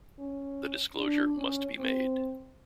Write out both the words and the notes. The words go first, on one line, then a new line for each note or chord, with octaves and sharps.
The disclosure must be made.
C#4
D4
C#4
C4